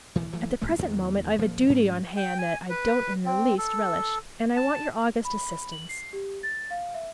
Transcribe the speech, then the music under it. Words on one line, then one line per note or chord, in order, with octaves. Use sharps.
At the present moment I've a duty on hand that I don't in the least relish, and I want your august assistance.
D1 B1 D#3 E3
E3 F#3 A3
G#1 A#2 G#3 A3
A1 E2 D#3 G#3
D#1 F3 A#3
G#2 G3 C#4
G5
G#5
B4
C4
A4
A5
B5
F#7
C7
G4
A6
F5
E5